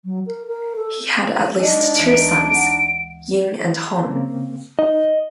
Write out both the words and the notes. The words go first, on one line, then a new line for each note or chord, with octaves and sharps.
He had at least two sons: Ying and Hong.
F#3
A#4
A#4
A4
G#3 D4 D#4 D5 D#5
D2 E3 D7
F#5
C#3 A#3 C4
D#4 D#5